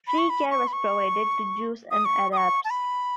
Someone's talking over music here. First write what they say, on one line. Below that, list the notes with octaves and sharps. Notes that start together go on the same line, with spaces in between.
Free care was provided to Jews and Arabs.
B5
C#6
B5
C#6
B5
C#6
D#6
C#6
D#6
C#6
A5
B5